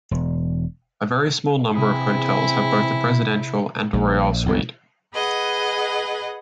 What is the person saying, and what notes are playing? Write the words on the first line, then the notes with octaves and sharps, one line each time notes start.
A very small number of hotels have both a Presidential and a Royal suite.
E1
C3 E3 C4 E4 G#4 D#6 D#7
A#1
B1 F2 C#3
G#4 B4 D#5 F#5